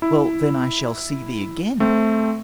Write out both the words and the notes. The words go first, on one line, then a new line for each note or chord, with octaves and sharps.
Well; then I shall see thee again?
E4
A3 C4